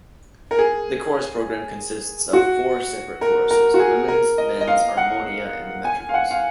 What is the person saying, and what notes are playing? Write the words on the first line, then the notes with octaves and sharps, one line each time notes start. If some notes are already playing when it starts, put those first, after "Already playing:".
The chorus program consists of four separate choruses: Women's, Men's, Armonia, and the Madrigals.
A#4
G#4
F#4
A#4
A#4
F#4
G#4
A#4
D#5
D#5
F5
F#5
G#5
F5
F#5
F5